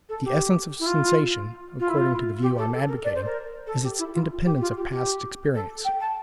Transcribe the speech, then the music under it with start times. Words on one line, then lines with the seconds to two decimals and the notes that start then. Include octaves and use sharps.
The essence of sensation, according to the view I am advocating, is its independence of past experience.
0.09 A4
0.25 G4
0.79 E4
0.86 F4
1.80 F4
1.89 E4
1.98 F4
2.42 G4
2.58 A4
2.74 A4
2.88 A#4
3.04 D5
3.15 C5
3.25 A#4
3.67 A4
3.83 G4
3.99 E4
4.14 F4
4.45 G4
4.61 F4
4.77 G4
4.91 G4
5.54 A4
5.85 G5
6.00 A5